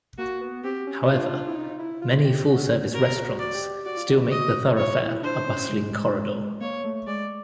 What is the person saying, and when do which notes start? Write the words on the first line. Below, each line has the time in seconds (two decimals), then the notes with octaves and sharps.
However, many full-service restaurants still make the thoroughfare a bustling corridor.
0.18 A#3 F#4
0.41 B3
0.64 C4 G4
0.87 C#4
1.10 D4 F4
1.33 D4
1.48 E4
1.55 D#4
1.79 E4
2.02 F4
2.24 G4
2.48 F#4
2.94 F#4 A#4
3.24 F#4
3.39 D5
3.54 G4
3.85 F#4 D5
3.97 F4
4.08 F#4
4.31 D#5
4.77 F4 C#5
5.00 E4
5.23 D4 C5
5.46 C#4
5.69 G#3
6.61 A#3 C#5
6.84 A3
7.07 G#3 D5